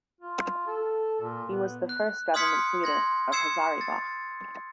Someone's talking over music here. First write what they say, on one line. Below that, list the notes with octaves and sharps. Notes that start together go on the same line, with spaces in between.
He was the first Government Pleader of Hazaribagh.
F4
A4
A#2
B3
F#6
C6 D#6 F6 G#6 B6 C#7
C6 G#6 A#6
E6 G#6 C7 C#7 E7
A6